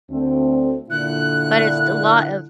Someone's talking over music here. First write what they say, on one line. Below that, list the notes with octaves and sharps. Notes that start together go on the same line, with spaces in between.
but it's st a lot of
D2 A3 C4
A#2 D3 E4 F#6